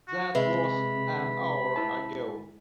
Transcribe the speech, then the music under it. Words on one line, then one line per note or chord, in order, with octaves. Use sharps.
That was an hour ago!
F#4
C3 G#3 B4 E5 B5
E4 A5